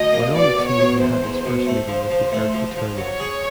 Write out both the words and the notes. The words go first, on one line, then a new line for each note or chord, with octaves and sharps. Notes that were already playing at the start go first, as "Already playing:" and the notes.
While on the team he had his first meeting with the Earth Eternals.
Already playing: D2 D#5
A#3
B2 D5
B2
C#5
B2
E2 C5
E2
B2
A3 C5
F3
F3
A3
F3
F3
F#3 C#5
G#4